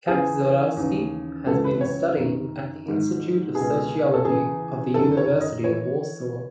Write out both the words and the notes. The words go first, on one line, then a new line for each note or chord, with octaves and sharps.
Kaczorowski has been studying at the Institute of Sociology of the University of Warsaw.
E2 C#3 E3 G#4
D#2 C#3 E3
C#2 C#3 E3 A4
B4
C#5
F#2 D#3
G#2 D#3
C#2 B2 G#4
A4
E2 C#3 E3 G#4
F#2 D#3 A4
C#5
D#5
E3 C#5